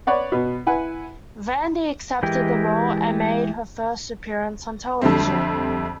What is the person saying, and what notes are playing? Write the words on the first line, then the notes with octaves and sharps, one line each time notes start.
Vandi accepted the role and made her first appearance on television.
B4 C#5 D5 F#5
B2 B3
E4 B4 F#5 G#5
E3 G#3 G4 A#4
F2 D3 G3 A3 C4